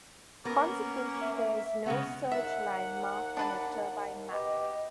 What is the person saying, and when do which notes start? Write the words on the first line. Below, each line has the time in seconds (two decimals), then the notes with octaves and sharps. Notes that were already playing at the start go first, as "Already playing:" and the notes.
Consequently there is no surge line marked on a turbine map.
0.45 A#3 B3 C#4 A#4
1.21 E5
1.86 C#3 G#3 B3 F#5
2.32 D#2 E5 F#5
3.37 D4 B4 A5
4.32 B2 G4 D#5